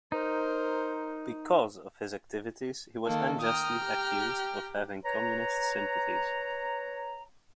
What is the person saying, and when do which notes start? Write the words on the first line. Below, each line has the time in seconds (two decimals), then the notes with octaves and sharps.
Because of his activities, he was unjustly accused of having communist sympathies.
0.12 D#4 A#4 C5
3.07 D#3 A#3 A4
3.42 G5 A#5 D#6 F6
3.82 G4
5.04 B4 C#5 A#5